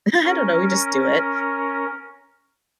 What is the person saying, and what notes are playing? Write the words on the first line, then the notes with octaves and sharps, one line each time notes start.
I don't know- we just do it.
C#4 A#4